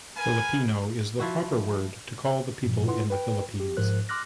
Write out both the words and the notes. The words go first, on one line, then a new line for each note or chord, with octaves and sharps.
Filipino is the proper word to call the people in the Philippines.
A#4 B4 F5 G#5
F3 E4 F#4
G2 A#2 F3
E4 F4 B4 F#5 C6
B4 G5
G4
G#2 F3 A#4 C5 F#6
C6 D6 F6 F#6 A#6